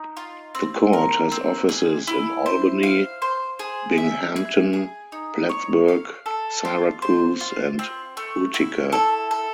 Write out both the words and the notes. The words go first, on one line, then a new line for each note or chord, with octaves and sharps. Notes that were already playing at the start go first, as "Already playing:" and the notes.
The court has offices in Albany, Binghamton, Plattsburgh, Syracuse, and Utica.
Already playing: D#4
F4
C4
A#4
C4
G#4
E4
C5
F5
C5
G#4
E5
G#4
G#4
D#4
C#5
F5
A4
F4
C5
F4
C4
A3
E4
A4
A4